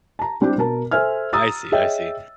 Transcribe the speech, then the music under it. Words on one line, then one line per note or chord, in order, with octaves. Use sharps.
I see, I see.
A5 A#5
G3 C4 D4 E4 G4
B2 A#4 A5
A4 C5 E5 G#5 F6
A#5 D#6 E6 A6
G#4 C#5 D#5 E5 G5